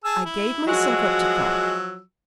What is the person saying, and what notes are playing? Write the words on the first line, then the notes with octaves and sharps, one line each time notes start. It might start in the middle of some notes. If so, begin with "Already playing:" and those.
I gave myself up to thought.
G#4 A5 E6
E4
F3 F#3 G#3 F#4 E6